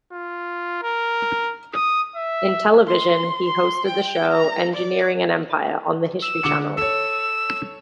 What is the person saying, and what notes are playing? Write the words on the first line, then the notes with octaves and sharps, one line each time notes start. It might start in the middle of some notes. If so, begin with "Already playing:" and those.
In television, he hosted the show "Engineering an Empire" on the History Channel.
F4
A#4
D#6
E5
C6
C6
G5
A#5
D5
E6
D3 D6 C#7
A4 C#5 E6